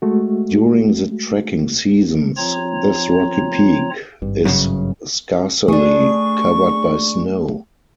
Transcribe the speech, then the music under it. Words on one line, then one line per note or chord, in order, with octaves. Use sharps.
During the trekking seasons this rocky peak is scarcely covered by snow.
G#3 A3 F#4
F3 C4 F4 C#5 A#5
G#1 G2
F#2 A#2 C#3
A3 D4 G#4 C#6